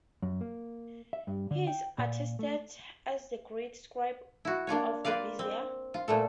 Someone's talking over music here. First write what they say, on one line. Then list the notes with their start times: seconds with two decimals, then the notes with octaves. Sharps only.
He is attested as the Great Scribe of the Vizier.
0.23 F#2
0.41 A#3
1.13 E5
1.27 G2
1.51 D3
1.67 G5
1.98 A#2
2.39 A3
4.45 E4 F#4
4.67 A#3 D4 F4 C#5
5.05 A#3 F4 B4 D5 F5
5.39 C4
5.94 F4
6.08 A#2 G3 A3 A4